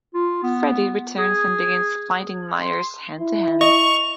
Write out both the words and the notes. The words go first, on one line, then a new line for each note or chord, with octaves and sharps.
Freddie returns and begins fighting Myers hand-to-hand.
F4
B3
G#4
C6
E4
D#5 C#6 F7